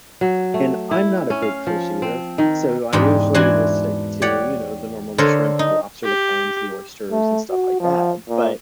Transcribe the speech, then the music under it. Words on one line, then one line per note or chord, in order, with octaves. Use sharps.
and I'm not a big fish eater, so, I usually will stick to, you know, the normal the shrimp, the lobster, the clams, the oysters, and, stuff like that, but,
F#3
A3
E4
C#4
F5
F3
C4
D#3
E2 G#2 D4 G4
E3 D4 F#4 G#5 C6
G4 C#5 D5 F#5
D3 A4 A#4 C5 C#5
D#4
G4
A3
F#4
F3
A#2